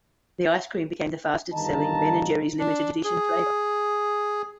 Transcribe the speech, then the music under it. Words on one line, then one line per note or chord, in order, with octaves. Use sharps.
The ice cream became the fastest-selling Ben and Jerry's limited-edition flavor.
G1 D#3 F4 D#5 A5 A#5
D4
G#4